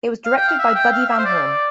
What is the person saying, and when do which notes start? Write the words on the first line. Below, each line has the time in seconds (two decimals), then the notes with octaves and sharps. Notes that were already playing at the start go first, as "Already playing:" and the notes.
It was directed by Buddy Van Horn.
0.26 F5
0.37 G5
0.48 F5
0.59 E5
0.76 G5
0.92 F5
1.09 E5
1.19 C5
1.26 D5